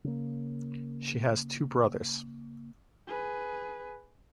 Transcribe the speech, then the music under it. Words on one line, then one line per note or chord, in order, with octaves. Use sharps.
She has two brothers.
C#3 A#3
G#4 B4